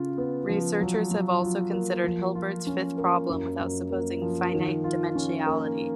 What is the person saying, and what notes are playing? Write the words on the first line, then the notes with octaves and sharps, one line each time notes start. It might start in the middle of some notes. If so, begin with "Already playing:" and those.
Researchers have also considered Hilbert's fifth problem without supposing finite dimensionality.
Already playing: C#3 F4
B3
F3
F#3
F#3
F4
A#3
F3
F4
C#4
A#3
F#2
F#2
A#3
F3
D#3
F4
C#4
A#3